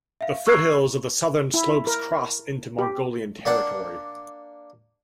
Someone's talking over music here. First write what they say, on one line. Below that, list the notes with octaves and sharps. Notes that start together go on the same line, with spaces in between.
The foothills of the southern slopes cross into Mongolian territory.
E5 F5
C#6 E6 F#6 G#6 C7
E4
A#4
G4
A#3 D4 D5 F#5